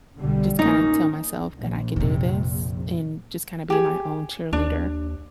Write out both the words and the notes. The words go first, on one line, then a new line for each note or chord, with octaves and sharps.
just kinda tell myself that I can do this and just kinda be my own cheerleader.
B1 D3 G3
A1 A#3 C#4 D#4
A#1
F2 C3
G4 G#4
D#2 D4